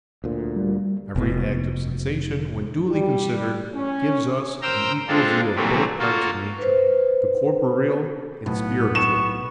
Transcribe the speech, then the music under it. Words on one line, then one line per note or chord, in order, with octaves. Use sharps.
Every act of sensation, when duly considered, gives us an equal view of both parts of nature, the corporeal and spiritual.
D2 A#2
G3
F1 B2
G3
C#4
A#4 C5 G5 A#5 E6
G#3 C4 D4 F4 A4
A#2 E3 F#3 G3 A3 C4
A#3 F4 F#4 A4
B4 C5
B1 A2 B3
C#6 E7